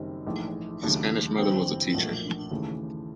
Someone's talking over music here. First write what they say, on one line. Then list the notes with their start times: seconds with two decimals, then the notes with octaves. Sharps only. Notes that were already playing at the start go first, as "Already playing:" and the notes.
His Spanish mother was a teacher.
Already playing: F#1 F#2 D#3 G3 C4
0.27 A#1 G#2 E3 A3
0.82 D#2 C#3 F#3 A3 D4
1.38 G1 G2 E3 G3 C4
1.94 B1 A#2 F3 A3
2.51 D#2 C#3 E3 A3